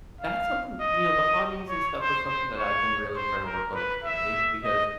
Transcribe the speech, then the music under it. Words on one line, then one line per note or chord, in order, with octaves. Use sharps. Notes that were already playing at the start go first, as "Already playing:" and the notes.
that's something You know, the hobbies and stuff are something that I've been really trying to work on expanding, because
F5
D#5
C#5
C5
C5
C#5
C5
A#4
B4
E5
D#5